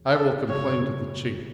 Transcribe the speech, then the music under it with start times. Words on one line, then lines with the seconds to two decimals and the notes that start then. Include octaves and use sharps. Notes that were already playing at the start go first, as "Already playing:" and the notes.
I will complain to the Chief.
Already playing: E1
0.11 A4
0.49 F#1 F#2 C#3 G#3 C#5